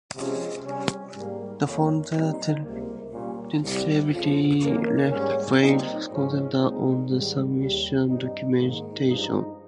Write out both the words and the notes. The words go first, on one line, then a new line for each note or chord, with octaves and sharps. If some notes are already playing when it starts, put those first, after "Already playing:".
The founder tentatively left "Weird Concepts" on the submission documentation.
C3 F3 G#3 C#4
C3 G3 C#4
G#2 G3 A#3
F2 D#3 A#3 C#4
A#2 G3 C4 D#4
C#2 C3 G3 A#3
A#2 G3 C#4
C2 C3 G3
F2 C#3 F3
F2 D#3 A#3 C#4
G#2 G3 C#4
A#2 G3 C4 D#4
G#2 F3 G#3 C#4
A#2 G#3 C4 D#4
G#2 D#3 G3
D#2 C#3 G3
G2 G3 C4 D#4
G#2 D#3 A#3 D#4
G2 F3 G#3 D#4